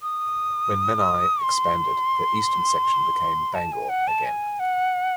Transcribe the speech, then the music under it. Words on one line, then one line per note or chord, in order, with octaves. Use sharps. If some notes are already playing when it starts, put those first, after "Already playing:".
When Menai expanded, the eastern section became Bangor again.
D#6
C6
A5
G#5
F#5
A5
G#5
F#5